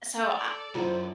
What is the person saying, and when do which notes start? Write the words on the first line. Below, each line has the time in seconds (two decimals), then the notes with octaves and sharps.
So, I
0.22 A4 D5
0.75 C#2 F#2 E4 F4 C5